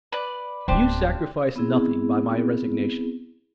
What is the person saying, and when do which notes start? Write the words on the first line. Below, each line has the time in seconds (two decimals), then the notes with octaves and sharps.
You sacrifice nothing by my resignation.
0.12 B4 D5
0.68 D1 C#4 D4 G4 C5
1.56 B3 C4 E4 G#4